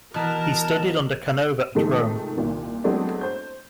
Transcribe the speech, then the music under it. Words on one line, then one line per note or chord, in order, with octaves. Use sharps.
He studied under Canova at Rome.
B2 E3 A#4 A5 F#6
G#2 C3 D#3 F3 G#3 A3
C2 A#2 D#3
F#3 G#3 A3 B3 C4 D4
C5 G6